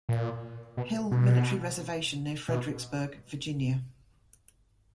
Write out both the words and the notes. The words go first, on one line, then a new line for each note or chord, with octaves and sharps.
Hill Military Reservation near Fredericksburg, Virginia.
A#2
B2
B2
B2